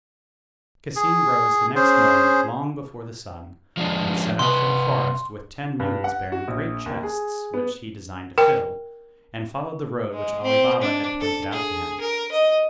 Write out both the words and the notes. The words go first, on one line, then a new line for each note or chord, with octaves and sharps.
Cassim rose the next morning long before the sun, and set out for the forest with ten mules bearing great chests, which he designed to fill, and followed the road which Ali Baba had pointed out to him.
G#4
C#4 G#4 C5
F3 G#3 D4
C3 B4 C6
G2
F#5
F#4
A#1
D#2
G#4
B3
A#4 G5
G#3
C4
D4
A4
G#4
A#4
D#5